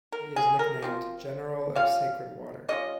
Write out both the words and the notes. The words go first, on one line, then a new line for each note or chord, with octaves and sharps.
He is nicknamed "General of Sacred Water".
A#4
G#4
A#4
F3 C4 F4
G3 C#4 F4 F5
G3 C#4 F4 D#5